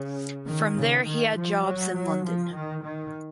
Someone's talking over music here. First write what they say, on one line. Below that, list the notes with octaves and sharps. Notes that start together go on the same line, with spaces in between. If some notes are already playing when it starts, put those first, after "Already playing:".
From there he had jobs in London.
Already playing: C#3
D#3
C#3
D#3
F3
F#3
F#3
F3
D#3
D#3